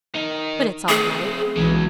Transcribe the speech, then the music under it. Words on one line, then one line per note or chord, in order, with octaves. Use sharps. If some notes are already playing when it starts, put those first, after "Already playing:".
But it's all right.
D#4 A#4
A3 C4 G#4
B1 C#3 E3 F#3 G#3